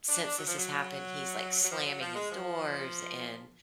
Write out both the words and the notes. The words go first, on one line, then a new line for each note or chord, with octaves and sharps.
since this has happened, he's, like, slamming his doors and
D4
D4
F#3
F3
F#3
F#3
F3
F#3
F3
G#3
F3